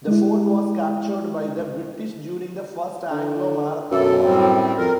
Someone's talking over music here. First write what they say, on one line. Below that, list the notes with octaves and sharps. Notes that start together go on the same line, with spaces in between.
The fort was captured by the British during the First Anglo-Maratha War.
G#3 E4
D3
F#2 B2 A4
A2 G3 C4
F2 A#4